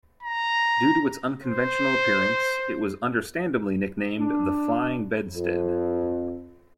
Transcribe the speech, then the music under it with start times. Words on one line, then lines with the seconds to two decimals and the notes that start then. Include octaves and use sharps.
Due to its unconventional appearance, it was understandably nicknamed the Flying Bedstead.
0.23 A#5
1.41 C5
4.18 D4
5.34 F2